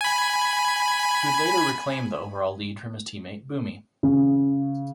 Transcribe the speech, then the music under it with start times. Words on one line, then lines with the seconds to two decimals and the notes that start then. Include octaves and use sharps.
He would later reclaim the overall lead from his teammate Buemi.
0.01 G#5 B5
4.03 C#3